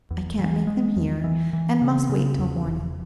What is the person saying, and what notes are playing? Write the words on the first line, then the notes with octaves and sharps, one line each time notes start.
I can't make them hear, and must wait till morning.
E2
E3
G#3
E2
E3
E3
C#3
C#3
E2
E1